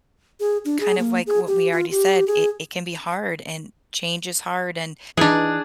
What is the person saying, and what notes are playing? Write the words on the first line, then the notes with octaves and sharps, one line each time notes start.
kind of, like, what we already said, it it can be hard, and change is hard and,
G#4
D4
G#4
A#3
G#4
G4
F4
G4
G#4
E3 D4 D#4 G#4